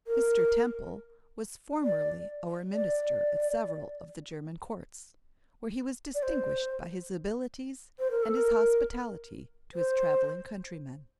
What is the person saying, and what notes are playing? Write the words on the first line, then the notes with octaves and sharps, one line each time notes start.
Mr. Temple was formerly our minister at several of the German Courts, where he was distinguished by his abilities and his hospitality to his travelling countrymen.
A#4
D5
D5
D5
C5
C5
A#4
A4
A#4
C5